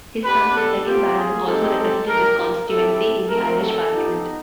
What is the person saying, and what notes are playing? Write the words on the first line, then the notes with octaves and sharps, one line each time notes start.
His son, the second Baron, also represented this constituency in the Irish Parliament.
B3 D4 G4 B4
A4
C4 F4 G4
G#4
G#3 C4 D#4 G4 A4
A4
A#3 D#4 G4 A#4
A#4
C4 E4 G4 A4
A4
A3 C4 D#4 F#4 A#4
A4
B3 D#4 G4